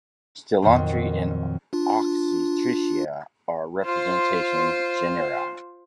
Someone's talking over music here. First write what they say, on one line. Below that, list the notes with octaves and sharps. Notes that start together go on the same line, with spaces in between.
"Stylonychia" and "Oxytricha" are representative genera.
F2 A#2 D#3 F#3 C4
D4 F4
F4 C5